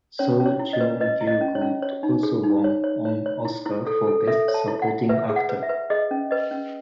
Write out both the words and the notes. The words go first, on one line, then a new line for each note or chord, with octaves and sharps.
Sir John Gielgud also won an Oscar for Best Supporting Actor.
C#4 C#5
C#4
C#5
E4
D#5
B4
B4 D#5
E4
D#5
C#4
C#5
C#4
C#5
D#4
G#4
D#4
C#5
C#5
C#5
C#5
E4
E4
A4
A4
A4 E5
C#5
A5
E4
F#5
E4
B4 E5
G#4
F#5
B4
E5
B4
G#4 D#5
C#4
B4 D#5
C#4